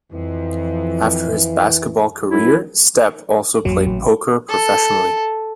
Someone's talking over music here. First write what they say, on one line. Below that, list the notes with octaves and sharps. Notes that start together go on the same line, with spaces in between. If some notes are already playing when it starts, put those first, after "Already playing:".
After his basketball career, Stepp also played poker professionally.
F2 E3
F#2 E4
A1 F2 F#3 A#3
A1 A#2 C#3
A4